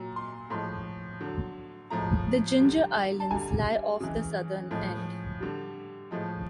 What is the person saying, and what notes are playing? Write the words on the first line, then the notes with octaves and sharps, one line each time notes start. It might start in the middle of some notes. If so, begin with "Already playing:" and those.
The Ginger Islands lie off the southern end.
Already playing: A#2 F#3 A#5
C6
A2 F3 G#3 C6
D3 F#3
A2 F3 G#3 A#5
D3 G3
A5
D3 G3 G#5
C#3 E3 G#3
A2 F3 G#3
D3 G3
A2 F3 G#3